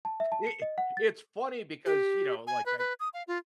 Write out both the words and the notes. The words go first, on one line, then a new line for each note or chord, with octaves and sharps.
it it's funny because, you know, like, I
A5
E5
A5
C#7
D#5
F#5
A6
G4
G#5
B4
B4
D#6
F5
F4